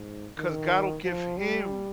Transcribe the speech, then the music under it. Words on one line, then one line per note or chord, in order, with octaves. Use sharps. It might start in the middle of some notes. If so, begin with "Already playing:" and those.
'cause God will give him
Already playing: G#2
D#3
F3
G3